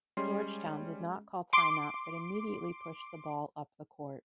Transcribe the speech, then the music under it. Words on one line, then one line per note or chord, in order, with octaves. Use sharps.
Georgetown did not call timeout but immediately pushed the ball up the court.
G3 G#3 C#4 C6 C7
C6 D6 D7